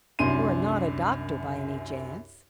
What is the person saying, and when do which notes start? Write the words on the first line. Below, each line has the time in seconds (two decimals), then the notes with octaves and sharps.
"You are not a doctor by any chance?"
0.19 C2 F#2 D4 C6 D#7